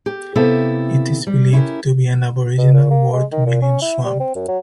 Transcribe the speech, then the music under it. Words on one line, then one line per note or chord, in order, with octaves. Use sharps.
It is believed to be an Aboriginal word meaning "swamp".
G4
C3 A#3 B3 E4 G4 A4
G3
C#4 E4 F4 G4 A#4
B2
A#2
A#3
G#3
D#3
A#2
C#4
E4
G3
C4
F#2
F#3